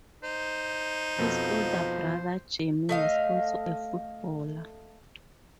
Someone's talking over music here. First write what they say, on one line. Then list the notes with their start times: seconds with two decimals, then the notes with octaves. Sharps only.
His older brother Jamie was also a footballer.
0.23 D#4 C5
1.18 F2 B2 F3 A4
2.89 A3 D#5 F5